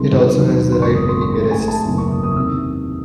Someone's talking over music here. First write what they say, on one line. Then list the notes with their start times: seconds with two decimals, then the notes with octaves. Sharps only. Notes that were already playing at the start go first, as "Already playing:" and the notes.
It also has the right making arrests.
Already playing: C2 C3 D#3 G#3 C6
0.32 D#2 D#3 F#3
0.72 C6
0.82 G#1 F#2 C#3 C#6
0.95 D#6
1.09 C6
1.22 C#6
1.34 A1 A2 G#3 C6
1.51 G#5
1.68 A5
1.86 F#1 E2 C#3
1.98 C#6
2.11 D#6
2.23 D#6
2.36 E2 C3 D#3 E6